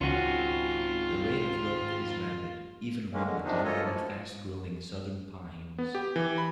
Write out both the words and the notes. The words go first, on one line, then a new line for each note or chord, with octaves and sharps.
The rate of growth is rapid, even among the generally fast-growing southern pines.
C#2 G#2 D#3 C#4 F4 F#4
G2 D#3 G#3 A#3 C#4
D3 G#3
C3 D#3 F3 D4 D#4
F#2 A#3 F4 A4 C#5 D#5
A2 F3
B3
G4
E3
B5